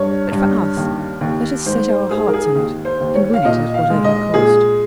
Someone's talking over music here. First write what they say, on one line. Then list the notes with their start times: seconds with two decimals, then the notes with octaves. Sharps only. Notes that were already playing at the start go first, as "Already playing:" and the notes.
But for us, let us set our hearts on it and win it at whatever cost.
Already playing: G2 C#5
0.32 G2
0.77 D#2
1.21 D#2
1.66 G#2 C5
1.88 C5
2.11 G#2 G#4
2.27 A#4
2.33 G#4
2.55 D#2
2.85 C5
3.00 D#2
3.15 C#5
3.34 F5
3.45 A#2 D#5
3.74 F5
3.90 G#3
4.04 D#5
4.34 A#2 G#4